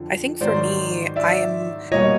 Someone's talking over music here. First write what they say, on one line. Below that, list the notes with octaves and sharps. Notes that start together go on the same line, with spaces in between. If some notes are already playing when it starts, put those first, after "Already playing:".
I think for me, I am
Already playing: F2 D3 F3
G#2 D#3 F#3 C5 D5
D5 E5
B2 G3 A#3 C#5 D#5